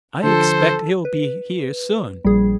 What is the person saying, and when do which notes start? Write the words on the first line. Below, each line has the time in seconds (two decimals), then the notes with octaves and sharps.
I expect he'll be here soon.
0.23 D3 F3 A4 C5
1.05 B4
2.25 A#1 G3 G#4